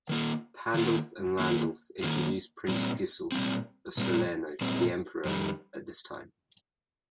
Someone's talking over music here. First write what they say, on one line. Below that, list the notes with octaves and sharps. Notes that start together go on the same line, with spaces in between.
Pandulf and Landulf introduced Prince Gisulf of Salerno to the emperor at this time.
D#3 A#3 F4
D#3 A#3 F4
D#3 A#3 F4
D#3 A#3 F4
A#2 G3 C4
A#2 G3 C4
A#2 G3 C4
A#2 G3 C4
F2 D#3 G3